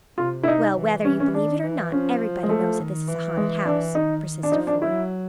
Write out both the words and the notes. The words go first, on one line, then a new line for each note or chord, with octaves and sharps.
"Well, whether you believe it or not, everybody knows that this is a haunted house," persisted Flora.
C3 F4
E4
D#4
E3
E3 C#4
C#4
D#3 D4
E3
F3 C#4
G#3
A3
D#3
E3
G#3
D4
D#3 D#4
D4
F3 D#4
D4
F#3 E4